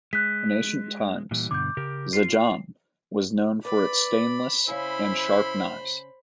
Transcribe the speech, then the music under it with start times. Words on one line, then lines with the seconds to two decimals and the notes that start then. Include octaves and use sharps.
In ancient times, Zanjan was known for its stainless and sharp knives.
0.13 G#3 F#6 B6
1.31 A#2 E3 G3
1.51 G2 B2 D3 D6 G6
1.77 C#3 G4 A#4
2.13 F4 C7
3.65 B4 D5 B5
4.68 C#3 E4 C5 G#5 B5